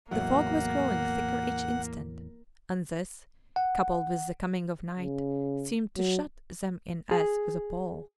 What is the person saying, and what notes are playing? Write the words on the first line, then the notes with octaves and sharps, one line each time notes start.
The fog was growing thicker each instant, and this, coupled with the coming of night, seemed to shut them in as with a pall.
E2 A2 F#3 A#3 F#5
F#5
C#3
F#3
G#4